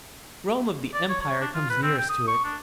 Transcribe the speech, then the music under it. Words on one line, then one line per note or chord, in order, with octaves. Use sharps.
"Rome of the Empire comes nearest to it...."
D5
C#5
C#5
D4
F4
B4
C4
G5
D#6
C#6
D4